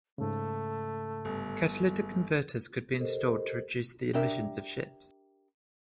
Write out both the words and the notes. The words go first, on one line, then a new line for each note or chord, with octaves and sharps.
Catalytic converters could be installed to reduce the emissions of ships.
G#2 C#3 A3
G1
G4 A4 A#4 C5 D#5
D4 G4 A#4 E5